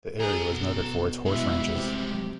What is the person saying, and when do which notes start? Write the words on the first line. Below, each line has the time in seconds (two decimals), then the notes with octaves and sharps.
The area was noted for its horse ranches.
0.20 G#4 A4 A#5
0.50 B2
1.25 B2 G3 G#3 E4
1.72 C3 G4